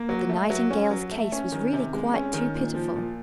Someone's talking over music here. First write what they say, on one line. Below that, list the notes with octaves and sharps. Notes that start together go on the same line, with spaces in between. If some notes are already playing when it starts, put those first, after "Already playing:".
But the Nightingale's case was really quite too pitiful!
Already playing: A#3
F#3
A3
F#3
C#4
F#3
A3
C#4
D#3
C3
G#3
C#4
D#3
A#2
F3
A#2